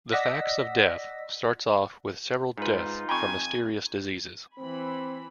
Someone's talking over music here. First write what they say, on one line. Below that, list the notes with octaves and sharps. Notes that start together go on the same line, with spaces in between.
"The Facts of Death" starts off with several deaths from mysterious diseases.
D5 D#5 F#5 E6 A#6 B6
G#2 D#4 F4 B4
F2 G5 G#5 A#5 B5 C#6
E3 C4 B5